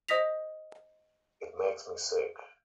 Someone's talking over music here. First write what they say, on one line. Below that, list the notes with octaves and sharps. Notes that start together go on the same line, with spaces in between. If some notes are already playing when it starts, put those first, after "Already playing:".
It makes me sick.
C5 D#5 D#6 A#6 B6 F7